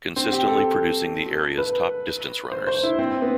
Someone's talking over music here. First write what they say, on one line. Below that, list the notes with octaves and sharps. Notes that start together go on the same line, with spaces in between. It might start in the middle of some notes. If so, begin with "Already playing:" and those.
Consistently producing the area's top distance runners.
C4
G4
A4
B4
C5
C5
E4
C4
B3